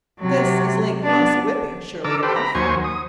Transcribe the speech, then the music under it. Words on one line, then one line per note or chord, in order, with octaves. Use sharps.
This is Lake Ossawippi surely enough.
C3 F#3
B3 D4
D3 A4 A#4 D6 E6
G4 A4 B4 C5
A#5 B5
D#2 F#3 C5 G#5 C#6
D#6